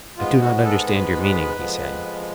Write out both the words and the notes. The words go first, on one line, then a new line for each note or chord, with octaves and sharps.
I do not understand your meaning, he said.
G#2 G#3 B3 F4
F#4
A4
B4
B4
F2 F3 G#3 B3